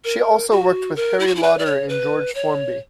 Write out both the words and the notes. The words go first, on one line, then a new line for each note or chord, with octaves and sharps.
She also worked with Harry Lauder and George Formby.
A#4
F#4
A#4
E4
F#4
E4
B4
D5
C#5
B4
C#5